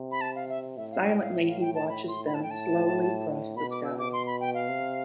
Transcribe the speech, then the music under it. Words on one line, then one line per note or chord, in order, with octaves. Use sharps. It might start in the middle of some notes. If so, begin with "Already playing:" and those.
Silently he watches them slowly cross the sky.
Already playing: C3
B5
A5
F5
E5
A2 E5
F5
G5
F5
E5
F5
G5
A5
B5
C6
B5
A5
A2 G5
A5
B2 B5
D6
E6
D6
C6
B5
G5
F5
C3